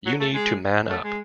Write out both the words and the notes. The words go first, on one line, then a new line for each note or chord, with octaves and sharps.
You need to man up!
F#3
A3
G#3
A3
G#3